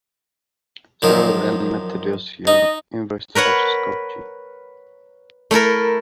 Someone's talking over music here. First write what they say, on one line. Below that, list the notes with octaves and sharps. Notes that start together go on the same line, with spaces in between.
Cyril and Methodius University of Skopje.
F#2 D#3 F3
D#4 D#5
A#4 B4 C#5 F#5
A3 E4 A4 A#4